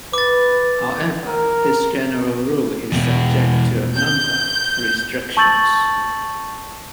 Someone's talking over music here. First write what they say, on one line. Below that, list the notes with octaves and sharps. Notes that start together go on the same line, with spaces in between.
However, this general rule is subject to a number of restrictions.
B4 D6 A6
A#4
E2 B2
G6
A5 C#6 E6 G6 A6 F#7